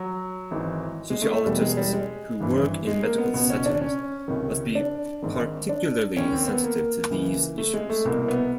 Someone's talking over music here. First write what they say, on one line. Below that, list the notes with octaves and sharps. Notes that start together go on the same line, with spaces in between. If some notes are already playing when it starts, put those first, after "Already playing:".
Sociologists who work in medical settings must be particularly sensitive to these issues.
Already playing: F#3
G#1 G#2 E3
G#3
A3
A3
E1 E2 B2 G3
G#3
G3
G#3
G#1 G2 E3
G#3
A#3
B3
C#2 B2 B3
C#4
D4
C#4
C#2 C3 D#3
D4
G#1 G#2 D#3
D4
D#2 D#3 C#4
C4
B3
A#3
C#2 C#3 E3
A3
G#3
A3
C2 B2 A#3
B3